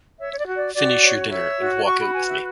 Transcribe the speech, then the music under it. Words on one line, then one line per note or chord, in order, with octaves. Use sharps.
Finish your dinner, and walk out with me.
C#5 E5
C#5
D5
F#4
D5
F#4 D5
C#5
C#5 E5
F#4
F#4 C#6
B5
B4 G#5
E5